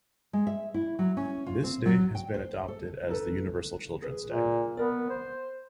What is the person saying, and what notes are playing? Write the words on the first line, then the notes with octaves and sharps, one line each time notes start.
This date has been adopted as the Universal Children's Day.
G#3
E5
E4
F#3
C#4
F4
C4
F#3
G5
C5
A4
D#4 A4 B4
G#4 B4
A#2
B3 A#4 D5
C5